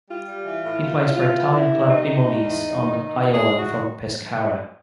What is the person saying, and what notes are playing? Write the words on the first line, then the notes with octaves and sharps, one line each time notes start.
He plays for Italian club Imolese on loan from Pescara.
G3 F4
G3
E3
A2
A2
A2
A2 F4
B3
A2 E4
G3
D#3 D#4
C3
E2
E2
E2
D#3
D#3
E2
E2 G#4
E2
F#4
D#3